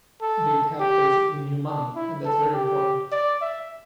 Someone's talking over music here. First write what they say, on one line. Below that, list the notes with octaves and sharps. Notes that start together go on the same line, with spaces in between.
They tap basically new money, and that's very important.
A4
G4
D4
E4
A4
G4
D5
E5